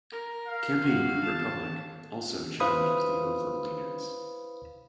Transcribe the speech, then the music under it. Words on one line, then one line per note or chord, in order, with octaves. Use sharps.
Campaign group 'Republic' also challenges the oath of allegiance.
A#4
F5
F#4
A5
E4 B4 C5 F5 B5 D#6